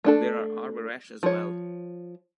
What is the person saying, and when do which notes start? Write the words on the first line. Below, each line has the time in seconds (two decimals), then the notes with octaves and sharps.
There are Arbereshe as well.
0.04 A3 D4 A4
1.23 F3 C#5